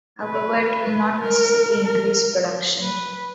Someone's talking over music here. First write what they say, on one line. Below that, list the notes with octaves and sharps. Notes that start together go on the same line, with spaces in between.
However, it will not necessarily increase production.
B4
A#4
A#4
B4